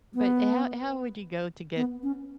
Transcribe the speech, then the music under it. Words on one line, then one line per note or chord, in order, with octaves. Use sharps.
But ho how would you go to get
B3
B3
C#4